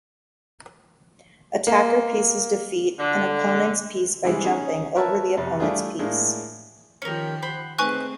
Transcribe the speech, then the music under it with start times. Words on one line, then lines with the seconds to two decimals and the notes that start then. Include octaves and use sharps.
Attacker pieces defeat an opponents piece by jumping over the opponents piece.
1.67 A#3
2.98 D3
4.24 C3 E3 G3 G#3
4.44 C#4 D#4 G#4
4.96 A#4 B4 C#5 E5 A5
5.37 F2 C3
5.60 G3 A3 D4 E4 F4 G#4
5.99 A2 G#3 A#3 D4 F4
7.02 D#3 F3 C#4 G4 A#4 C#7
7.42 C5 F#5 B5
7.79 A3 C4 D#4 G#4 B4 G#5 C#6 F#6